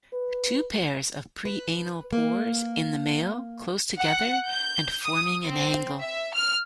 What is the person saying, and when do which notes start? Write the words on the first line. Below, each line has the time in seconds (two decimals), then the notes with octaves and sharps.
Two pairs of preanal pores in the male, close together, and forming an angle.
0.13 B4
1.45 B4
2.13 A#3
3.97 F#5
4.48 G6
5.05 D#6
5.45 C4
6.00 E5
6.33 F6